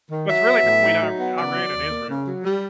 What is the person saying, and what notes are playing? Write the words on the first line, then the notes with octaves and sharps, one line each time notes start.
So it's really between Ir Iran and Israel.
D#3
F#3 E5
B3
A2
D#4
F#3
B3
C#3 D5
F#3
D#2
A#3
C#3
F#3
G3